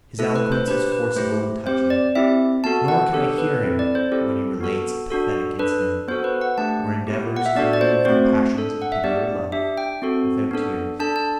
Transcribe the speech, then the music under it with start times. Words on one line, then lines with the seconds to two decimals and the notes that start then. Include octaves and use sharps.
His eloquence is forcible and touching; nor can I hear him, when he relates a pathetic incident or endeavours to move the passions of pity or love, without tears.
0.19 A3 E4 A4
0.36 B4
0.52 C5
0.68 D4 B4
0.70 G4
0.92 B4
1.16 A3 E4 G4 C5
1.66 C4 G4 C5
1.90 D5
2.15 C4 E4 G4 E5
2.64 B3 F#4 A4 A5
2.88 F#5
3.13 B3 D4 G4 A4
3.38 B4
3.63 C4 E4 A4
3.79 D5
3.95 C5
4.12 C4 E4 G4 A4
4.61 B3 F#4 A4
5.10 D4 F#4 A4
5.59 D4 A4 B4
6.08 B3 F#4 A4 C5
6.24 B4
6.41 F#5
6.58 A3 D4 G4 A5
7.07 B3 E4 G4
7.37 F#5
7.46 E5
7.55 B3 D4 F#4 A4 D5
7.73 D5
7.81 C5
8.05 A3 C4 F#4 C5
8.55 D4 A4
8.82 F#5
8.92 E5
9.04 B3 D4 G4 D5
9.52 D4 G4 E5
9.78 G5
10.02 C4 F#4 A4
10.51 B3 D4 A4
11.00 D4 A4 A5
11.16 A5